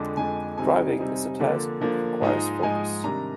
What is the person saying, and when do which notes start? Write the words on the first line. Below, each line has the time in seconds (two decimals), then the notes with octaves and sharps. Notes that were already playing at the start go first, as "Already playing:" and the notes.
Driving is a task that requires focus.
Already playing: F2 D3 G#3 D4
0.17 F2 D3 G#3 D4 G#5
0.57 C3 G3 C4 D#4 G#5
0.99 C3 G3 C4 D#4
1.40 D3 F3 A#3 D4
1.81 D3 F3 A#3 D4
2.21 G#2 F3 G#3 D#4
2.63 G#2 F3 G#3 D#4 G#5
3.04 C3 D#3 G3 D4 A#5